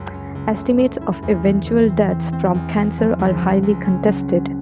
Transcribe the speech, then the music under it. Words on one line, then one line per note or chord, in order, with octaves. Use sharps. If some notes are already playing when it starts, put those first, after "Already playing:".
Estimates of eventual deaths from cancer are highly contested.
Already playing: C#2 F#2 F#3
C#4
C#2
A3
A3
E4
E2
E3
E3
C4
C4
C4
E2
E2
F3
C#2
F#3
C#2
C#4
F#3
F#3